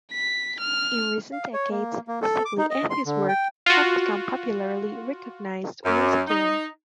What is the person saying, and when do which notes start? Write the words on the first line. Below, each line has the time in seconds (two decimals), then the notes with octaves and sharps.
In recent decades, Stickley and his work have become popularly recognized once again.
0.12 B6
0.61 F6
1.32 F5
1.53 C#5
1.71 A#3
2.08 A#3
2.22 A4
2.45 D6
2.58 D#4
2.70 D#5
2.90 C6
3.06 D3
3.29 G5
3.66 F4 F#4
5.84 F#2
6.28 D#4